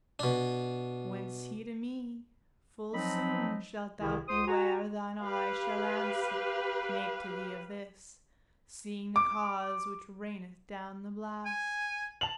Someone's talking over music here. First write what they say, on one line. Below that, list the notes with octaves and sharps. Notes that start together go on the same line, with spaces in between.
Whence he to me: "Full soon shalt thou be where Thine eye shall answer make to thee of this, Seeing the cause which raineth down the blast."
B2 D4
F3 F#3 C4 D#4 D#5 B5
C2 C3 D#3 E3 E4 G#4
C#2 C5 C6 D#6
F#4 G#5 A#5
G4 B4 F5
D6
G#5
A5 F7 F#7